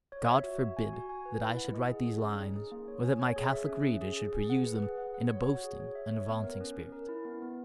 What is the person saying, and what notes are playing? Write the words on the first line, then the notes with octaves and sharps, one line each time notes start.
God forbid that I should write these lines, or that my Catholic readers should peruse them in a boasting and vaunting spirit.
C#5
E5
F#4
F#4
G#5
F#4
G#5
B4
E4
F#5
D#5
G#4
G#4
C#4
D#4
G#4
A#3
C#5
G#5
C#5
G#4
E5
C#4
C#4
G#4
G#4
G#4
F#5
B4
G#4
F#5
F#5
C#5
F#4
G#4
C#5
E5
C#5
B3
A#4
C#4
C#4
A#4
E4
B3
B3